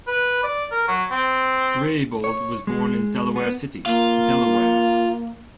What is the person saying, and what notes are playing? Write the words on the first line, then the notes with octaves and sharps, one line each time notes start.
Reybold was born in Delaware City, Delaware.
B4
D5
A#4
F#3
C4
C#5
G#3
B3
A#3 F4